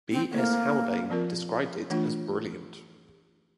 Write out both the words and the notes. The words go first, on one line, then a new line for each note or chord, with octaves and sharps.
B. S. Haldane described it as brilliant.
C4
A3 A#3 E4 A4 C5
F3 C4 F4 A#4
E3 A3 D4 F4